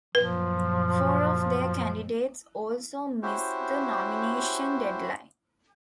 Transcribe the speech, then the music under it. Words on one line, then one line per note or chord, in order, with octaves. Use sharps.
Four of their candidates also missed the nomination deadline.
F#2 A#2 F3 B4
C#4 E4 F#4 G4 C5